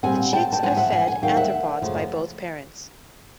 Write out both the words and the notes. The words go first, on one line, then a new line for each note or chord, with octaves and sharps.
The chicks are fed arthropods by both parents.
A#2 G3 C4 F#5 G#5
G5 A5
G5 A5
G#2 F3 G#3 F#5 G#5
E5 F#5
F#5 G#5
F#5 G#5
D#2 D#3 F#3 F5 G5
E5 F#5
F#2 C#3 F3 A3